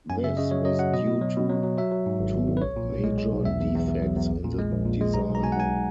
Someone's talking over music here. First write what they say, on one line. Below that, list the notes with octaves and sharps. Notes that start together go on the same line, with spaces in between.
This was due to two major defects in the design.
F#2 G#5
C#3 E5
C#3 D#5
F#3 C#5
F#3 D#5
F#3 F#5
B2 D#5
B2
F#3
B2
F#3
F#3
F#3 E5
F#3
G#2
G#1
G#1
G#1
B4
B1 C#5
A#2
B1
G#3
G#3
B1
E2 E5
E2
E2
E2
F#3
E2
A#1
A#2
G#3
A#1
A#2
G#3
B1 A#5
B1
A#5
B2 G#5
F#5
B1 G#5